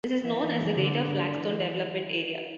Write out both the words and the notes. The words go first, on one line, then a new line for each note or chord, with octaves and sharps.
This is known as the Greater Flagstone development area.
E3
D3
E3